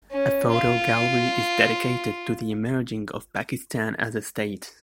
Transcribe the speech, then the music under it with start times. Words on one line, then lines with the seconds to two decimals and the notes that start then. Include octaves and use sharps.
A photo gallery is dedicated to the emerging of Pakistan as a state.
0.11 C#4
0.50 F4